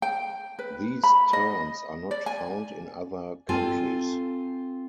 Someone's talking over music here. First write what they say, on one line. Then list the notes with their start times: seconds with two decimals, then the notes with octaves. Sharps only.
These terms are not found in other countries.
0.02 G5
0.59 B4
1.04 B5
1.33 D#5
2.11 D5
2.26 G#5
3.49 C4 F4 A4 G#5